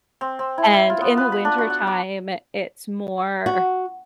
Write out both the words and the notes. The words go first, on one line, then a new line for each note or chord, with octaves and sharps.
And, in the wintertime, it's more;
C4
C4
E4
E4
F4
B3
B4
B5
D4
F#4
F#5
D6
F#4